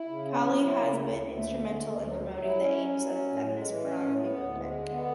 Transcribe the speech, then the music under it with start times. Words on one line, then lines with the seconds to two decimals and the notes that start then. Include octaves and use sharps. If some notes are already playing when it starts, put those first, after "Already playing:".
Kali has been instrumental in promoting the aims of the feminist pornography movement.
Already playing: E4
0.08 C#3
0.26 C#4
0.44 F#3
0.61 E4
0.79 C#3
0.97 D2
1.15 D2
1.33 A3
1.51 D3
1.69 D2
1.86 D2
2.04 F#3
2.22 F#3
2.40 E4
2.58 C#4
2.75 F#3
2.93 F#3
3.11 C#4
3.29 A2
3.47 G#3
3.65 E3
3.83 C#4
4.00 A2
4.18 B3
4.36 D2
4.54 G#3
4.71 D3
4.89 B3